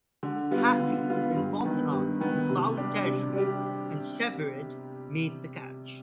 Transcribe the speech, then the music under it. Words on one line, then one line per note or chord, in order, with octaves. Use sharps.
Hafey then popped up in foul territory, and Severeid made the catch.
D3
G3 B3 F4
D3
G3 B3 F4
G2
D#3 B3
G2
D#3 B3
C3
G3 D4 G4
C3
G3 D4 G4